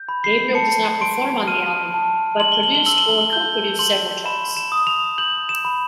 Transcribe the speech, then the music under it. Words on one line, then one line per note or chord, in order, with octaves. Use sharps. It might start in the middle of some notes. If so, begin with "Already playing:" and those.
Gabriel does not perform on the album, but produced or co-produced several tracks.
Already playing: G6
B5
C7
A5 C#7
C6 D7
F6 D#7
A5
C6 F#7
G7
F#7
G7
E6 F#7
G7
F#7
G6 G7
C6 F#7
B5 E7
E7
D#6
F7
G6 F#7
E7
B5